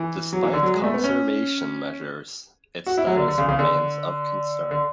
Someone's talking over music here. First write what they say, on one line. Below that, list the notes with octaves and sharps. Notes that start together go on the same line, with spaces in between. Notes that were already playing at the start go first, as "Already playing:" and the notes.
Despite conservation measures, its status remains of concern.
Already playing: E3
F#3
E3
D3
F#3
G#3
A3
B3
C#4
F#4
E4
F#3
D3
D3
C#3
C#3
D3
D3